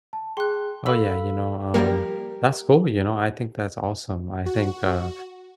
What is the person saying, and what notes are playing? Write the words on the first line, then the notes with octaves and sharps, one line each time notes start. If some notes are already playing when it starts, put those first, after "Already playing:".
Oh, yeah, you know, um, that's cool, you know, I think that's awesome, I think, uh,
A5
G#4 G5 C6 F#6
A4 F5 B5 E6 B6
F3 G3 A#3 G4 A#4
F#4